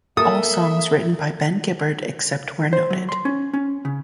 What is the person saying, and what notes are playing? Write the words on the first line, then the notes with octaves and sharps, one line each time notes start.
All songs written by Ben Gibbard except where noted.
A#3 A4 A#4 E5 D#6
C5
F#3
C6
C#4
C#4
C#3